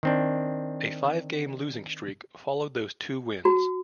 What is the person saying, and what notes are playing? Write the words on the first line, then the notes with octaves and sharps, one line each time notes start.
A five-game losing streak followed those two wins.
D#3 C4 D4
F#4